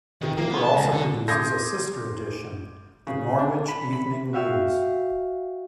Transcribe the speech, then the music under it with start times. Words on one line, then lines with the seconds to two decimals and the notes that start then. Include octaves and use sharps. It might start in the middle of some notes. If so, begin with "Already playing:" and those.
The paper also produces a sister edition, the "Norwich Evening News".
0.21 D#3
0.38 A#3
0.51 B3
0.64 A5
0.76 C#2
0.92 D3
1.28 C6 D6 D#6 G6 G#6 A#6
3.07 C#3
3.39 D4
3.68 B5
3.93 B5
4.33 F#4 E5 F5 G5 E6